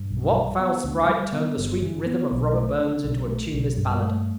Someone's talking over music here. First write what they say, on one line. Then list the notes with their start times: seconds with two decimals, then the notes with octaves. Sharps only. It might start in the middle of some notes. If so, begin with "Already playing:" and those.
What foul sprite turned the sweet rhythm of Robert Burns into a tuneless ballad?
Already playing: G2
0.10 B1
0.35 G3
0.60 B3
0.84 D2
1.09 G3
1.33 B3
1.57 G1
1.82 E3
2.06 B3
2.31 B1
2.55 A3
2.80 D4
3.04 B1
3.28 A3
3.53 B1
3.77 G2
4.02 A3